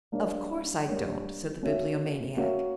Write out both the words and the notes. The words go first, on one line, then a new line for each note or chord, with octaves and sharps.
"Of course I don't," said the Bibliomaniac.
G3 A#3 D4 A#4 C#5
G3 A#3 D4 A#4 C#5
A#3 C#4 F#4 C#5 E5
A#3 C#4 F#4 C#5 E5